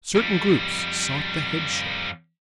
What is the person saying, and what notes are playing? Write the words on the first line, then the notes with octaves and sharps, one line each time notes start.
Certain groups sought the headship.
F2 G3